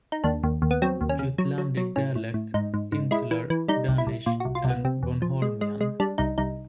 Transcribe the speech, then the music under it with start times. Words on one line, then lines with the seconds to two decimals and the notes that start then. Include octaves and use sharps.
Jutlandic dialect, Insular Danish and Bornholmian.
0.12 D#4
0.24 D#2 D4
0.44 D#2
0.62 D#2
0.71 B3
0.82 F#3 C4
1.01 D#2
1.09 C#4
1.19 C#3
1.38 F#3
1.58 F#3
1.77 F#3
1.96 A2 C#4
2.16 A2
2.34 A2
2.54 G#2 D#4
2.74 G#2
2.92 G#2
3.11 G#3 E4
3.31 E3
3.50 E3
3.68 G3 D#4
3.88 C2
3.98 E4
4.07 C2
4.26 A#2 F4
4.40 C2 F#4
4.55 F4
4.64 C2
4.70 B3
4.85 C3 C4
5.03 E2
5.22 F3
5.42 G#3
5.61 G#3
5.81 G#3
6.00 G3 D4
6.18 C2 D#4
6.38 C2 D#4